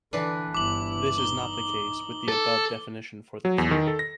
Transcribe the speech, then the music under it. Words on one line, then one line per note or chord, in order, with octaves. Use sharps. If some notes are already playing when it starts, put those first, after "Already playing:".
This is not the case with the above definition for the cube.
D3 E3 D4 B4
G1 E4 D6 F#7
D#4 G7
A4
F#3
E2
D#3
A4
A#6